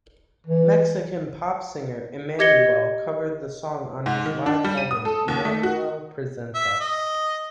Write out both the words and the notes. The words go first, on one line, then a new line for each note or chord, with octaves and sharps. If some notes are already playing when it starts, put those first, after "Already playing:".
Mexican pop singer, Emmanuel covered the song on his live album, "Emmanuel Presenta..."
E3
G4 D#5 G#6 A#6 C#7 G7
G#2
D#3
D4
G3
D#7
D#6
A4
D#2
A3
F#4
E5
D#5